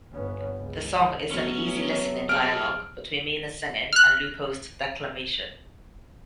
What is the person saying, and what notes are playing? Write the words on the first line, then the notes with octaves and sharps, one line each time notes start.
The song is an easy listening dialogue between Mina's singing and Lupo's declamation.
G1 B3 C#4
C#2
F#3 A3 B3 C#4
G#4 A4 F6 D7
F6 F#6